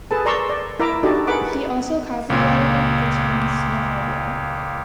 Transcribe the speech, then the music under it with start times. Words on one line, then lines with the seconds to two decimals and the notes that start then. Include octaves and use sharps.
He also copyrighted the term "snowmobile".
0.11 G#4 A4 B4 A5
0.25 A#4 D5 A#5 C6 C#6 E6
0.49 D5
0.80 E4 A#4 E5 A#5 D6
1.03 D4 D#4 F#4 G4 A4 D5
1.27 G#4 A#4 B4 F#5 B5 D6
2.30 C#2 A#2